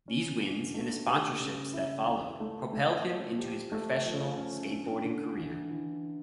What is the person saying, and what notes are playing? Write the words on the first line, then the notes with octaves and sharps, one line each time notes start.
These wins, and the sponsorships that followed, propelled him into his professional skateboarding career.
C#4
D3
A3
G4
C#3
E4
E4
A3
A3
F3
G4
A3
F3
C#4
D4
D3
E3
E3